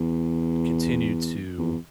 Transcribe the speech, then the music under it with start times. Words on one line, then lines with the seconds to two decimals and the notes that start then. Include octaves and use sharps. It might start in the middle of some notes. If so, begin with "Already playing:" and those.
continue to
Already playing: E2
1.58 E2